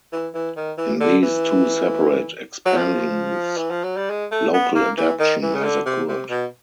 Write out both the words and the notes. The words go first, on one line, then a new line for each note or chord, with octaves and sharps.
In these two separate expansions local adaptation has occurred.
E3
E3
D#3
E3
D3
E3
F#3
F3
E3
F3
F#3
G3
G#3
A3
B3
A#3
E3
D#3
E3
C#3
D3
C3
C3
B2